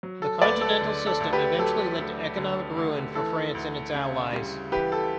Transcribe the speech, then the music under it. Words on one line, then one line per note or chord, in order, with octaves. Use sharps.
The Continental System eventually led to economic ruin for France and its allies.
F#3
A4
D2 B4 D5
A4
D3
A4
D2
G4 B4
F#3 A4
D2
D3
D2
E3 A4
D2
C#3
G3
E3 G4 B4
A4